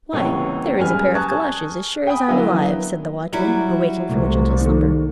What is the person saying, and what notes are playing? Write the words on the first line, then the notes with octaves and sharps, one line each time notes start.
"Why, there is a pair of galoshes, as sure as I'm alive!" said the watchman, awaking from a gentle slumber.
D#1 C#2 C3 E3 B3 C#5
F#2 G3 G#3 B4 G#5 F6
G#5 A5 C#6 D#6 F#6 G#6
G5 G#5 B5 D#6
D3 F#3 A#3 B3 E4 B4
F#3 G3 E4
C2 C3 G#3 A3
D#3 A#3 A4